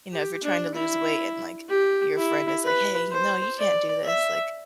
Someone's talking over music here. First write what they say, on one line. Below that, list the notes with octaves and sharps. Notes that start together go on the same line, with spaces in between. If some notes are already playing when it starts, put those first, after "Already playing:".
you know, if you're trying to lose weight, and, like, your friend is, like, "Hey, y no, you can't do this," like,
G4
D4
E4
G4
E4
B4
C5
D5
E5